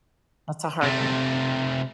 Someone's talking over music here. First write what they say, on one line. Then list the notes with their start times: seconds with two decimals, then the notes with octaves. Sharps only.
That's a hard one.
0.83 C3 A3